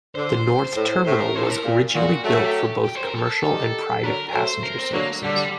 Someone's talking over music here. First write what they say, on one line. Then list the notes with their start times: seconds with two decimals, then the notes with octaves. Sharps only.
The North Terminal was originally built for both commercial and private passenger services.
0.15 D3 C5
0.75 A2
1.05 A2 C5
1.20 A#4
1.35 A2 C5
1.43 A4
1.50 A#4
1.64 A#2
1.94 A#2 F#4
2.24 F#3 A3 F#4
2.44 G4
2.84 G4
2.95 C5
3.04 A#4
3.14 A4
3.44 D#3 G3
4.03 D3 F#3 A#4
4.29 A#4
4.33 F#3 A3 C5
4.63 A#4
4.78 C4
4.93 D3 F#3 A#3
5.23 D3 G3
5.37 G3